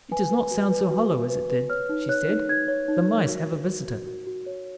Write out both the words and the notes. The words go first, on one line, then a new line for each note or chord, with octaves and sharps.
"It does not sound so hollow as it did," she said, "The mice have a visitor."
B4 G#5
B4
F#4
B4
F#4
F#4
B4
B4
C#5 F6
D#4
C#5 F#6
D#4
D#4 G#6
C#5
D#4
A#4
F#4
F#4
F#4
F#4
F#4
F#4
C#5